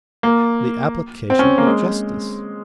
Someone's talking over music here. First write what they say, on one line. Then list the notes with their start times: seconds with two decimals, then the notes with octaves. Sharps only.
"The application of justice."
0.23 A#3
1.30 C4
1.39 C#4
1.58 A#3
1.67 G#3